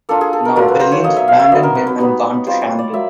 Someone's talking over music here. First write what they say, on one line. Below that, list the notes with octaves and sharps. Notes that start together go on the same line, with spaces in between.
Now, Belion's abandoned him and gone to Shandon.
A#3 D4 F4 A4
G#4
A4
A#4
F#3 A3 D4 F4 A#4
B4
C5
C#5
A#3 D#4 D#5
E5
F5
E5
F#3 B3 D#4 D#5
A#4
B4
B4
G3 B3 D#4
G3 C4 F4 C5
C#5
D5
F#3 A#3 E5